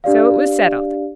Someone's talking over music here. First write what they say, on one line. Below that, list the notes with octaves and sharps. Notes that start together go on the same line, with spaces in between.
So it was settled.
D4 G4 D5 F5